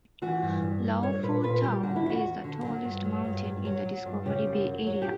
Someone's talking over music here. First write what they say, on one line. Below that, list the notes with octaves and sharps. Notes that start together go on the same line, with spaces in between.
Lo Fu Tau is the tallest mountain in the Discovery Bay area.
E3 F#4
G2
G2
G3
G3 C#5
A#2 B4
A#2 B4
G3 G4
D3 F#4
E4
E2
F#4
E2
D3
F#3
G2
F#3
G2
G2
F#3
F#3
G2
C#3 G4
F#2
F#3
F#3
G4